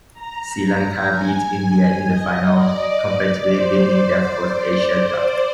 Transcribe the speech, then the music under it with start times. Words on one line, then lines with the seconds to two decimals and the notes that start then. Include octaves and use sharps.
Sri Lanka beat India in the final comfortably winning their fourth Asia Cup.
0.14 A#5
1.10 G#5
2.06 D#5
2.54 D5
3.50 C5